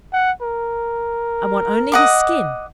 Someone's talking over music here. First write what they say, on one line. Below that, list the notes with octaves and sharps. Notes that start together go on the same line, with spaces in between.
I want only his skin.
F#5
A#4
D#5 F#5 D6